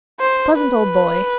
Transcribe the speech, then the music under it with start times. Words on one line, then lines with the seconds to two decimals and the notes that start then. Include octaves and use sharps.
Pleasant old boy.
0.20 C5
0.57 B4